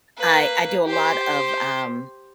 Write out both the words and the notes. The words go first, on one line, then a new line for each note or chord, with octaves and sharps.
I I do a lot of, um,
A#3 B4
G4 C5